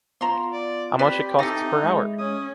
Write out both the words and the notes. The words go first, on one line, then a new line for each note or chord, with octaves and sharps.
How much it costs per hour?
B3 F4 A#5 C6
D5
C4 G4 B4 D5 B5
E3 D#4 A4 A6 A#6
G#3
C#4 D#6